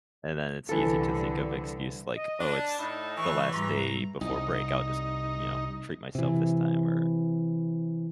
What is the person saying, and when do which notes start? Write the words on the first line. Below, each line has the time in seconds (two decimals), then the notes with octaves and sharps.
And then it's easy to think of excuse like, "Oh, it's the last day before break. I'll just, you know, treat myself this time," or,
0.69 C2 D3 E3 A4
2.15 D#5
2.41 D4 A5
2.79 A2 D#4 B5
3.17 E3 C#6
3.54 G#2 G3 A#5
4.21 C2 D#4
6.15 C3 E3